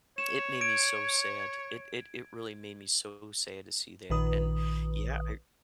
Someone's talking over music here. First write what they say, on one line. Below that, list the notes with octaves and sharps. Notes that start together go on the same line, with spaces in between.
It made me so sad. It it it really made me so sad to see that, and, yeah, I
C#5 E7
G#6 D7
A#1 D#3 B4 D#6